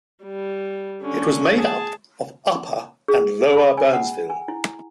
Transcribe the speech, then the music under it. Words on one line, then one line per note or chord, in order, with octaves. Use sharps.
It was made up of Upper and Lower Byrnesville.
G3
D3 C#4
G#4 A5
G#4
B5
G#5
F#5
G#5
E4